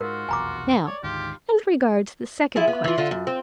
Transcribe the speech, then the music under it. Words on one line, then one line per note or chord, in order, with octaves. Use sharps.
"Now as regards the second question."
G#2 F4 F#4 A#4
F1 B1 E2 G#5 A#5 D6
C#5 D5
D2 G#2 D#3 F4 G4
E4 F4 G#4
B3
E3 F4
D3 F4
F#2
C4